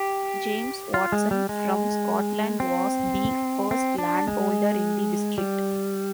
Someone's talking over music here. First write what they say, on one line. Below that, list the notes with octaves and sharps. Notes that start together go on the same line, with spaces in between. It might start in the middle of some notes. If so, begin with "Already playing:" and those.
James Watson from Scotland was the first land-holder in the district.
Already playing: G4
F4
G#3
G3
G#3
C4
C4
D4
G#3
G3